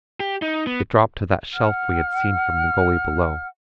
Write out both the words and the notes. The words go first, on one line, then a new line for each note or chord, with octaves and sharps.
It dropped to that shelf we had seen from the gully below.
G4
D#4
B3
F#5 F6